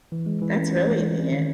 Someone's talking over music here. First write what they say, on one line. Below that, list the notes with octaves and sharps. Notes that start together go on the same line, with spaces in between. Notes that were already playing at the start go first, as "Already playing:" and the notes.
That's really neat.
E3
G#3
E3
C#4
E3
G#3
E3
C#4
D#3